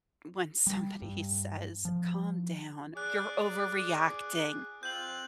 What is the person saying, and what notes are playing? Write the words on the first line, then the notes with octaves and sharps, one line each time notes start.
when somebody says, "Calm down, you're overreacting,"
G3
G2
F3
G#4 D5 D6 F#6
C4 F4 G6 F#7